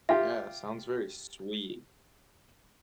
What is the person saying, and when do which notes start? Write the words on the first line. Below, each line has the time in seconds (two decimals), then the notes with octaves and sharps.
Yeah, it sounds very sweet.
0.09 F4 G4 E5